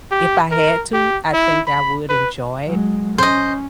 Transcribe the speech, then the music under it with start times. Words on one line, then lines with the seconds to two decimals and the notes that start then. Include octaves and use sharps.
if I had to, I think I would enjoy
0.11 G4
0.51 A#4
0.93 G4
1.33 E4
1.67 B5
2.09 B4
2.66 F#3 G#3
3.18 C#4 C5 D#5